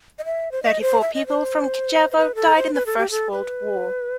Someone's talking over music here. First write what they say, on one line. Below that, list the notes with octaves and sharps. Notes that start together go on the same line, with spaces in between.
Thirty-four people from Kijevo died in the First World War.
D#5
E5
C5
D#5
C5
E5
D#5
C5
C5
B4
A4
C5
B4
A4
G4
A4
B4